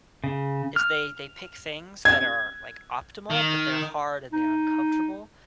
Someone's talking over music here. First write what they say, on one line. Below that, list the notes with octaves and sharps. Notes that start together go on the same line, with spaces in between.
is they they pick things that are, like, optimal, but they're hard and they're uncomfortable,
C#3
F6
G#6
D#3
D#4